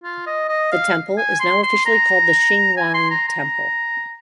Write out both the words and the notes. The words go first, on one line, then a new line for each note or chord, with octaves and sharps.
The temple is now officially called the Shing Wong Temple.
F4
D#5
D#5
F5
G#5
C6
C6
A#5
G#5
C6
A#5
A#5